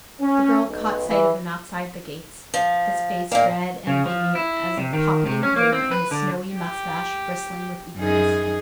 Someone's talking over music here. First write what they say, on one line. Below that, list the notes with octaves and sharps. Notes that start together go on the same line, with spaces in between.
The girl caught sight of him outside the gates, his face red and beaming as a poppy in bloom and his snowy moustache bristling with eagerness.
C#4
B1
E3
F3
A#2 A#3
C#3
F3
E4
C3
D#3
C3
C#4
A#3
C4
B4
D3
G4
F#2 D#4 G#4